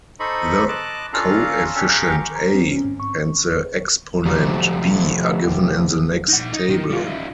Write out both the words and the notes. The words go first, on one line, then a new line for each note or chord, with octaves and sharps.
The coefficient a and the exponent b are given in the next table.
D#4 A4 C5 D#5 B5 C#6
D#5 A5 D6 F#6
C#4 D4 F4 A4 F5 A#5
C#4 D4 G4 A4
G4 G#4 F5 G5 A#5 C#6
A#5
C4
C#4
G#2
C#6
F3 A3 F#4 G4
D#4 F#5
D#4
D#3 D#4
G3 F4
D#4 F4